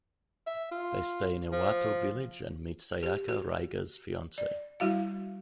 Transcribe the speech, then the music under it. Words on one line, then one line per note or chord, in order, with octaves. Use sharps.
They stay in Iwato village and meet Sayaka, Raigar's fiancee.
E5
F4
F3
G4
F#4
D5
G3 E4 F#4 E5 F5